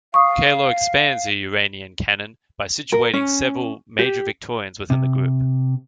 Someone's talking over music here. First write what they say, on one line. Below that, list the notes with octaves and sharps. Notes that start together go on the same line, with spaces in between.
Kaylor expands the Uranian canon by situating several major Victorians within the group.
F5 C#6 D#6
A#4
C#4
G4
C3